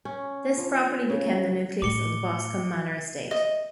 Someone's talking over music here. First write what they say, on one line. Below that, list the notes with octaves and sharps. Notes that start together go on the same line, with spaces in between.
This property became the nucleus of the Boscombe Manor Estate.
C#4
F3
C#3
A2 D6 C#7 G7
D#5